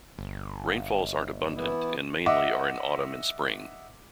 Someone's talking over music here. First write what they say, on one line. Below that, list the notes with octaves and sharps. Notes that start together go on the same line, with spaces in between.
Rainfalls aren't abundant and mainly are in autumn and spring.
G1
E3 B3 E4
D#5 E5 F#5 D6